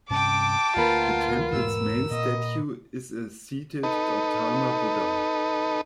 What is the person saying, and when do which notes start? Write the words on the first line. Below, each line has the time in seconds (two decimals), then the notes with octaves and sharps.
The temple's main statue is a seated Gautama Buddha.
0.10 G2 C3 C#4 G5 A5 D6
0.76 D2 A#3 F4 A#4 B4 F#5
1.53 E1 G#2 A3 E6
2.11 A#2 D#5
3.83 D#4 A4 B4